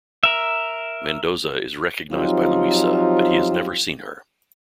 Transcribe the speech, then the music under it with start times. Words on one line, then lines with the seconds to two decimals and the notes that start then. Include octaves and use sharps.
Mendoza is recognized by Louisa but he has never seen her.
0.23 A#4 E5
2.11 F3 F#3 C4 D#4 F4 G4